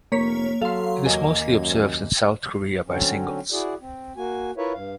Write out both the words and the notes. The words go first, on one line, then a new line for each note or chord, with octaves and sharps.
It is mostly observed in South Korea by singles.
F1 A#3 C#5 B6
F#3 A4 F5 C6
D#2 A#3 D#5 G#5
F#2
D3 F#3 C4 C#4
E4 F#4 G#4 D5
C4
A#3 F#4 G#5
E4 F4 A#4 B4 C#5 E5
G2 F5